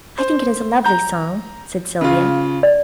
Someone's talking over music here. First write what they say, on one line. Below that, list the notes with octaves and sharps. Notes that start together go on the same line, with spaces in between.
"I think it is a lovely song," said Sylvia.
C5
A#5 G6
C#3 F4
D5